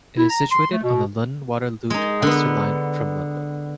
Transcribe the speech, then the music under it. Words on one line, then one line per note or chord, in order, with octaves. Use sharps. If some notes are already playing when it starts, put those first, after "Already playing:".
It is situated on the London Waterloo to Exeter line, from London.
E4
A#5
C6
A3
B2
G#3 D#4
D3 B3